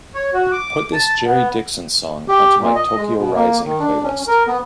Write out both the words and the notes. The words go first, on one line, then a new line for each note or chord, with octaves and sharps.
Put this Jerry Dixon song onto my Tokyo Rising playlist.
C#5
F#4
D6
A5
B3
G4
A#2
D#5
G#3
B2
A#3
D#3
D4
C#4
A#4
B3